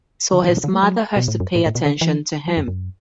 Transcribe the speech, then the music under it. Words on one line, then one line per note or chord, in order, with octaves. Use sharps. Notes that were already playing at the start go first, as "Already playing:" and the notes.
So his mother has to pay attention to him.
D3
E3
A2
B2
D3
F#3
A3
F#3
B2
A2
F#2
A2
A2
B2
D3
E3
F#3
F#2
F#2